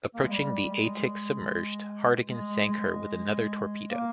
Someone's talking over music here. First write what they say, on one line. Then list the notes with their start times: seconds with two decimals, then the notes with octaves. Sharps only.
Approaching the "Atik" submerged, Hardegen sank her with another torpedo.
0.14 A#3
0.23 G#3
0.31 G3
0.71 G#3
2.30 G#3
2.70 G#3
3.91 A#3